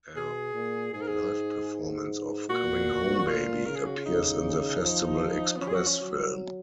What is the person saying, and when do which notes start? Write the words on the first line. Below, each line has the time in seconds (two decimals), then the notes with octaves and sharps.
Their live performance of "Comin' Home Baby" appears in the "Festival Express" film.
0.15 B2 G#4
0.55 A#2
0.93 G#2 G#4
1.02 A#4
1.08 G#4
2.49 A#2 F#4
3.19 F#4
3.28 F4
3.66 C#3 A#4
3.76 G#4
3.86 F#4
3.95 F4
4.06 D#4
4.83 F3
5.56 B3
5.61 F3 C#4
5.69 G#4
5.74 F#4
5.87 C#4
6.00 F#3